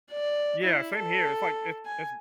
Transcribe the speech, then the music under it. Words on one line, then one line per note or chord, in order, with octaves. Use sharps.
Yeah, same here. It's like it's it's
D5
E4
A4
G#5